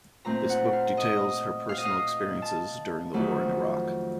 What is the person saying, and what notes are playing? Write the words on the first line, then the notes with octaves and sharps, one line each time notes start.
This book details her personal experiences during the war in Iraq.
A#2 A3 C4 A#5
F#5
F5
D#5
F5
D#5
F5
A5
F2 D#3 F#3 A3